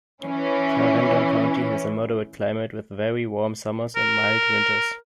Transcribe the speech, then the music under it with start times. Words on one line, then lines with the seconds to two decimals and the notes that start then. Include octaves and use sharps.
Clarendon County has a moderate climate with very warm summers and mild winters.
0.24 E3 C#4
3.96 A#4